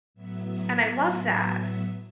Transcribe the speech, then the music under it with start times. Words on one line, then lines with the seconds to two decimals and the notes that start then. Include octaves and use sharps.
And I love that.
0.14 A2 F#3 B3 E5